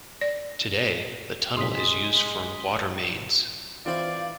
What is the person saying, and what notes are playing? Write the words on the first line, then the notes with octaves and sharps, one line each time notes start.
Today the tunnel is used for water mains.
D5
G#2 C3 F#3 G#3 C6 D#6 B6
E3 C4 E4 F4 D5 F5